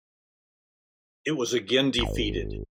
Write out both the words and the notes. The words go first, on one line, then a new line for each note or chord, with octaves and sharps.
It was again defeated.
G#1